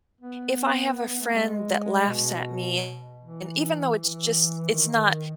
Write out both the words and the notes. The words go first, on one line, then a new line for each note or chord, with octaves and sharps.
if I have a friend that laughs at me, and even though it's just, it's not
B3
B3
B3
A3
G#3
B2
E3
E3
D#3